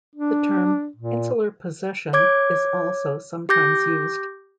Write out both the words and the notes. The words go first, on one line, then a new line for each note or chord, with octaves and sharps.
The term insular possession is also sometimes used.
D4
A#2
C#5 D6 G#6
G4 D6 G6 A#6